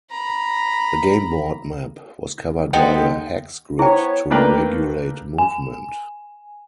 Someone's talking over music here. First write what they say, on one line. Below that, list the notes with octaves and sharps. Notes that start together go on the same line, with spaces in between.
The game board map was covered by a hex grid to regulate movement.
A#5 B5
D#2 G#3 B3 A4 G5
B3 E4 C5 C#5 G5
A3 A#3 D4 A#4 B4 G5
G#5